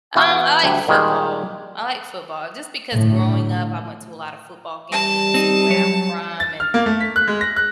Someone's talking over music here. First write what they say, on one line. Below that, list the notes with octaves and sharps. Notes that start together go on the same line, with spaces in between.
Um, I like football. I like football just because growing up, I went to a lotta football games, and where I'm from and,
E3 B3 E4 F#4 F5
D2 G3
A#2 D#3 G3 G#3
A2 D3
G3 A5
C4 D#4
F#3 C#5
A6
F6
A#3
A3
B6
F#6
G#3
A#6
F#6